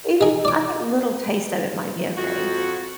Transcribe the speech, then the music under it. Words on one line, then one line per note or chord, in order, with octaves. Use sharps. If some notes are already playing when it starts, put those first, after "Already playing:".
Even I think little taste of it might be okay.
D#4 G#4
D5 D6
F2 F#4